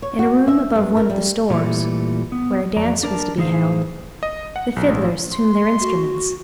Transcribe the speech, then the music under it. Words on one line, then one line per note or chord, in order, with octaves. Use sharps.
In a room above one of the stores, where a dance was to be held, the fiddlers tuned their instruments.
C#5
F#4
E5
G2
A#4
G3
A#2 E3 G3 A3
B3
F2 F#3 D5 A#5
D4 A#4 D5 A5
A2 E3 D#4 G#4 C5 F5
D#5
F#5
B1
A1
C6
F#4